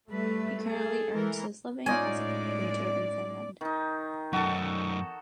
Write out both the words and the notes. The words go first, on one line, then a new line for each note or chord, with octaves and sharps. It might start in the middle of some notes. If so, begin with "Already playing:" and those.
He currently earns his living as a carpenter in Finland.
G3 A3 B4
G#4 A4
E3 G#3 A#4
A2 G#3 C#4 D#4 F4 D5 G#5
D#3 D#4
F#2 D#4 F#4 A4